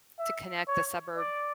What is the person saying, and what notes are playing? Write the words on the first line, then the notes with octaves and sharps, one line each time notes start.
to connect the suburb
E5
C#5
D5